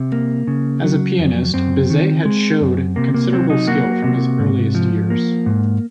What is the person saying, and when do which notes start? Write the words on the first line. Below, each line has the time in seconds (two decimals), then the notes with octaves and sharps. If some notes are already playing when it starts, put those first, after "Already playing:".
As a pianist, Bizet had showed considerable skill from his earliest years.
Already playing: C3
0.12 A#3
0.47 C#3
0.83 F#3
1.19 F2
1.54 F#2 C4
1.90 D#3
2.25 G#3
2.61 F#2
2.96 C3 A#3
3.14 A#3
3.33 F#3 C4
3.50 D#4
3.68 A#3 F#4
4.04 C3
4.39 G#2
4.75 F3
5.10 A#3
5.46 G#2